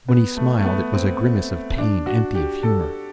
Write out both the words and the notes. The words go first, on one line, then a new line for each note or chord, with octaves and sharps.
When he smiled it was a grimace of pain, empty of humor.
B3
A3
A3
B3
C4
D4
F#4
G4
A4